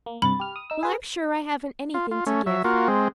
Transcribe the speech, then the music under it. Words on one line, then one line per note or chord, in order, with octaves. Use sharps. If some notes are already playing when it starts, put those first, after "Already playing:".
Well, I'm sure I haven't anything to give.
A#3
G2 C3 B5 A6
G4 F6
D#6
D#4 E6
G#4 B4
F4
F4
A3 C#4
F#3 E5
A#3 F4 F#4
G#3 C4